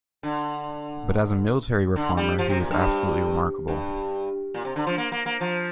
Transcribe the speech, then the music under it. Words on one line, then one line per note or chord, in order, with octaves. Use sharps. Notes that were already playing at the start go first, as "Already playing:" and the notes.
But as a military reformer, he was absolutely remarkable.
D3
D3
G3
F3
C3
A#2
G2
G2
A#2
C3
D3
F3
A#3
A#3
A#3
F3